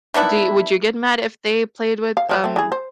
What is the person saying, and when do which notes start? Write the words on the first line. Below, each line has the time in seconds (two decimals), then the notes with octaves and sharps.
Do you would you get mad if they played with, um
0.14 D#3 B3 D4 E4
2.17 F5
2.29 F3 A#4 B5
2.44 A3 C4
2.56 E3 G#4
2.72 C5